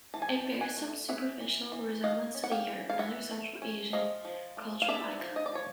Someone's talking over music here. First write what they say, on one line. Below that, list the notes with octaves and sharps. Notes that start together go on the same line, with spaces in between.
It bears some superficial resemblance to the yurt, another Central Asian cultural icon.
E3 A5
G#5
G5 A5
E3
F#5 G#5
A3
C#4 E5 F#5
E3
E3
A3 D#5 F5
C#4
F#5
F5 G5
E3
F5
E3 E5 F#5
A3
C#4
F3 D#5 F5
F3
A3
F5
D4 D5 E5
F3
D#5
D5
F3 C#5